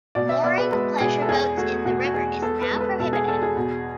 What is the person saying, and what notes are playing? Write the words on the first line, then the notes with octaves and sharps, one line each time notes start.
Mooring of pleasure boats in the river is now prohibited.
B2 D5
E5
B3 D5
B4
G#3 B4
B2 G#4
A4
E2 G#4
A3 F#4
B2 F#4
F#4
E2 G#4
B3 A4
B4
G#3
A4
B4
B2 A4
G#4
E2 A4
G#4
B2